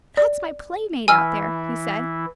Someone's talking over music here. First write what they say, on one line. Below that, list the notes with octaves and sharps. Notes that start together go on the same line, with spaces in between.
"That is my playmate out there," he said.
D5
E3 E4 G#5 E6 F6